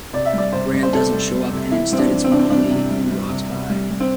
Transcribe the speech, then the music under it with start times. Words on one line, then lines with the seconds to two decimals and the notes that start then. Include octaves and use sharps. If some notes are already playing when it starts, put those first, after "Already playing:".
Brand doesn't show up, and instead it's Molly who walks by.
0.13 C3 D5
0.25 E5
0.33 G3 D5
0.53 C3 C5
0.73 G3
0.83 C5
0.93 C3 A4
1.12 G3
1.32 G3
1.52 C3
1.71 E3 E4
1.91 G3 C4
1.98 D4
2.11 E3
2.24 C4
2.32 C3 D4
2.39 C4
2.50 G3 D4
2.71 C3
2.90 G3
3.10 G3
3.29 C3
3.49 C3
3.70 G3
3.90 G3
4.00 C4